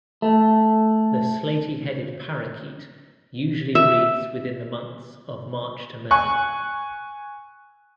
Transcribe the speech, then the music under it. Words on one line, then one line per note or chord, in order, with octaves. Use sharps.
The slaty-headed parakeet usually breeds within the months of March-May.
A3
E5
G#5 C#6 F#6